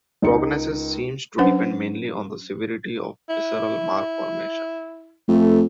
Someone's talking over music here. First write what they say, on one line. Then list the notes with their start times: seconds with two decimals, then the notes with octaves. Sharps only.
Prognosis seems to depend mainly on the severity of visceral malformations.
0.22 C#2 D#4 A#4 C#7
1.38 F#3 C#4 D4 B4 C5 F#5
3.29 E4
5.28 F2 A3